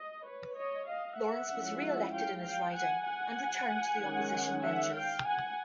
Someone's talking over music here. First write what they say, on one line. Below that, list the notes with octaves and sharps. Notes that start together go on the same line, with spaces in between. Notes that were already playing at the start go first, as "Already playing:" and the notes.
Lawrence was re-elected in his riding, and returned to the Opposition benches.
Already playing: D#5
B4 C#5
C#5 D#5
D#5 F5
E5 F#5
F3 G#3 C#4 E4
F5 G5
F5 G5
F#5 G#5
F#5 G#5
D#3 G#3 C#4
E5 F#5
F5 G5
F#5 G#5